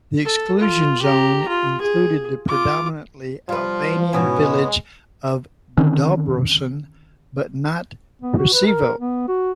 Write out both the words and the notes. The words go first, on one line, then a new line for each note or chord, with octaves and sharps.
The exclusion zone included the predominantly Albanian village of Dobrosin, but not Preševo.
A4
F4
G4 A#5
F4
G#4
F4 D6
F3 G3 F4 B4
G#2 B2 E3 B3 C#4
G#3
D3 D#3 C4 C#4
B3
F#4
B4
A#4
B3
F#4